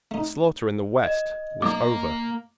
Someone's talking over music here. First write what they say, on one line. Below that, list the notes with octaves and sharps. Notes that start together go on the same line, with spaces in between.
The slaughter in the West was over.
A3 D#4
D#5
B1 A#3 A#5 D6